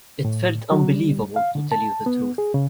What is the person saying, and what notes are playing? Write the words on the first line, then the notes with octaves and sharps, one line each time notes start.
It felt unbelievable, to tell you the truth.
A2
F#3
G3
F5
D3
A5
B3
G#4
C#3